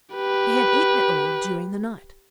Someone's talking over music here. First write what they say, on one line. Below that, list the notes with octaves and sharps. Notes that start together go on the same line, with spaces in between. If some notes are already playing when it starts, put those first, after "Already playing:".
He had eaten it all during the night.
G4 B4